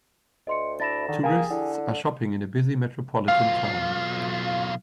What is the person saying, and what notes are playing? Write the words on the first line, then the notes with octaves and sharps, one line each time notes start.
Tourists are shopping in a busy metropolitan town.
D2 D#5 C6 C#7
D4 E4 A6 A#6 E7
D3 D#3
A#3 G4 G#4
D3 E4
B1 F4 F5